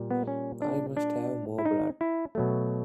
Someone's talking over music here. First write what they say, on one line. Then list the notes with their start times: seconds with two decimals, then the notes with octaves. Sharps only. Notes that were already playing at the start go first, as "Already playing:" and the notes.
I must have more blood!
Already playing: A#2 G3
0.11 B3
0.27 C#4
0.62 D4
0.97 D4
1.58 E4
1.65 D#4
2.01 E4
2.35 B2 F#3 A3